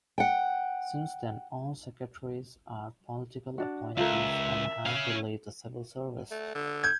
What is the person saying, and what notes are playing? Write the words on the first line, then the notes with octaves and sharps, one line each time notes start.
Since then all secretaries are political appointees and have to leave the civil service.
F#5 G5
D4 F#4
C#2 F4 A4 A#4 E5
C#4 F5
A3
D3
G6 G#6